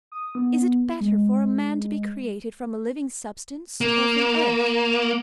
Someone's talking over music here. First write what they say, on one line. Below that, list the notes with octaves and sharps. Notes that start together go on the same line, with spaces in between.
Is it better for a man to be created from a living substance or from earth?
D#6
B3
G#3
A#3